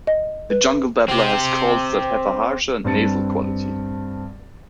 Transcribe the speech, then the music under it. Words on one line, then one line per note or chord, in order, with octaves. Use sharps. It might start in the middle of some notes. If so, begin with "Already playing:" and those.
The jungle babbler has calls that have a harsher and nasal quality.
D#5
B4
C4 G4
G2 C4 A5 A6 C#7